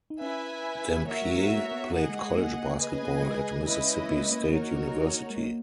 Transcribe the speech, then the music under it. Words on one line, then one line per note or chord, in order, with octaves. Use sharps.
Dampier played college basketball at Mississippi State University.
D#4
C#4 E4 B4 E5 G#5
A#3 F#4 A#4 C#5 E5
G#3
A#3
A#3
B3
A#3 G#4 D#5 F#5
G#3
G#3
A#3
G#4 B4 D#5 G#5
C#4
B3
A#3
G#3
C#4 E4 B4 D#5
A#3
G#3
A#3
B3
A#3 D#4 F#4 A#4 C#5
G#3
A#3